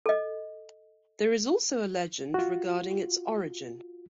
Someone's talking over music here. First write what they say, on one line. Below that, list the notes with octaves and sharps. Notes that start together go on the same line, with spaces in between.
There is also a legend regarding its origin.
A4 D#5
F4 F#4